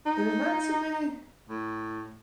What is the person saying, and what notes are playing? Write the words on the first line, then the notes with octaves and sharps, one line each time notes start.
there's not too many
D#4
A2